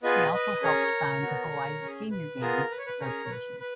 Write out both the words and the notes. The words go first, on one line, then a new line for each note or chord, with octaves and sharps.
She also helped found the Hawaii Senior Games Association.
B3 F4 G#4 B4 D#5
B4 D#5
C#4 G#4 A#4 C#5
B3 F#4
C#4 G#4
B4
B3 F4 G#4 A#4
B4
C#5
B4
C#4 G#4 A#4 C#5
C#5
B4
B4